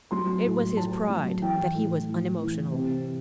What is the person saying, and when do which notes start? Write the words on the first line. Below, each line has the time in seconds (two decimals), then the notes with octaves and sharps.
It was his pride that he was unemotional.
0.11 F#3 C6
0.44 A2
0.76 A2 A5
1.09 F#3
1.42 E3 G5
1.74 A2
2.07 A2
2.40 E3
2.72 C3